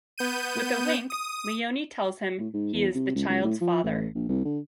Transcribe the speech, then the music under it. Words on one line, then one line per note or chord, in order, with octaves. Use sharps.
With a wink, Leonie tells him he is the child's father.
B3 G6 D#7
D#6
A2
G#2
E2
C3
C#2
C#2
A2
F3
A1
A#1
C2
D3